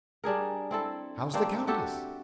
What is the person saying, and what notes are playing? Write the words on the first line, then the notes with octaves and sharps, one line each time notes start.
How's the countess?
G3 D4 G#4 A#4
C4 E4 A4
A#3 C4 D4 G4
F#4 G4 A4 E5